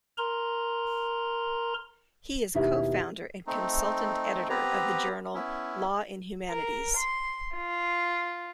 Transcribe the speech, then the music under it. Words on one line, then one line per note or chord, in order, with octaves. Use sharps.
He is co-founder and consultant editor of the journal, "Law and Humanities".
A#4 A#5 C6
D#2 B2 D#4 E4 G4 E5
A3 C4 D#4
B3 C4 G4 B4 A#5
B3 C#4 E4
A#4
C6
F4